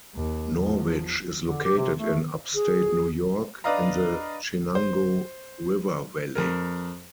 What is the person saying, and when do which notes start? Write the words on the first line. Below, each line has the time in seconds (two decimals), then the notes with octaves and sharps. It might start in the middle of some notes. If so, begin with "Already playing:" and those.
Norwich is located in upstate New York, in the Chenango River valley.
0.15 D#2
0.58 E2 F3
1.46 D3
1.64 G4
1.77 C3
1.98 A3
2.54 G#4
3.64 D4 B4 D5 D#5 F5 A#5
4.75 C5
6.35 F2 A#4